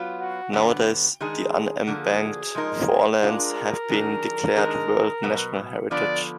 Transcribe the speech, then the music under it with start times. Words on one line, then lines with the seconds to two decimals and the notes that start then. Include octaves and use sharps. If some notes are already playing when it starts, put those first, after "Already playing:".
Nowadays the unembanked forelands have been declared world natural heritage.
Already playing: F#3 B3 F4
0.20 F#4
0.53 D3 F#3 B3
1.20 D#3 G#3 D4 G#4
1.87 D3 F3 A#3 G#4
2.55 F3 G#3 D#4 A#4
3.22 G#3 D4 F4 G#4 A#4
3.89 D#3 F#3 D4 G#4
4.56 D#3 G#3 D4 G#4
5.23 B2 F#3 B3
5.91 D3 F3 B3 D5